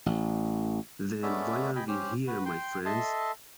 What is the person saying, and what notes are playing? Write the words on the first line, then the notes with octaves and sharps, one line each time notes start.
Then why are we here, my friends?
A1
G#3 A3 B3 C#4 D5 E5
D#5 G5 G#5 B5
C#4 G4 C5
F#4 B4
G5 C6
A4 D#5 E5 A5 C6